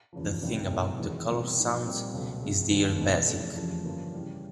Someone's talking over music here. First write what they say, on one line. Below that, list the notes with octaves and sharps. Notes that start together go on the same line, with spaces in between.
The thing about the Coloursounds is they're basic.
E1 E2 C#3 F3
C#2 C3 D#3 G3 C4
B2 F#3 A3 C4 E4
E2 C3 D#3 G#3
E2 B2 G3 C4
G#2 F3 A#3
A#2 G3 C4 D#4
C#2 B2 F#3 A3
C#2 C3 F3 G#3
D#2 D#3 F#3
E2 B2 G#3 C4 D#4
F1 E2 C#3 E3 A3
F1 E2 C#3 F3 A3
G2 D3 F3 A#3 C#4
C#3 E3 G3